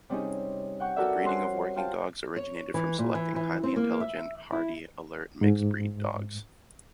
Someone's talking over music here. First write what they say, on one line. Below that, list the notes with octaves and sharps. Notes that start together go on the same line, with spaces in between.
The breeding of working dogs originated from selecting highly intelligent, hardy, alert mixed-breed dogs.
C3 G3 C4 C#4 D#4 G#4
F#5 G5 C#6 F#6
F#4 A4 A#4 D5 E5
G3 C#4 C5 G#5 C6 F#6
F4 C5 F5 G5 A5
C#5
E3
A#2
E3
E3
C4
A#3
E5
E4
G#2